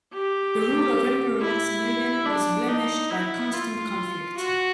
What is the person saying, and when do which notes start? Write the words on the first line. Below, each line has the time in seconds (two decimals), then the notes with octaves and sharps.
The rule of Emperor Maximilian was blemished by constant conflict.
0.13 G4
1.40 E4
2.25 D4
2.68 D#4
3.10 E4
3.53 F4
4.37 F#4